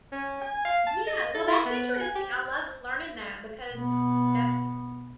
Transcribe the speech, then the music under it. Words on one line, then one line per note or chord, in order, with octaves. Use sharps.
Yeah, well, that's interesting. I love learning that, because that's
C#4
G#5
F5
A5
D#5
A4
E4
B3
G#5
G4
B2 B3